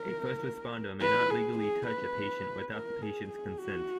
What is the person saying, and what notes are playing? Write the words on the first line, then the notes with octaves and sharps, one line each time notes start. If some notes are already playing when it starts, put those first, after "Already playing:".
A first responder may not legally touch a patient without the patient's consent.
Already playing: A#4
B4
G#4
G#4
B4
A#4
G#4
G#4
F#4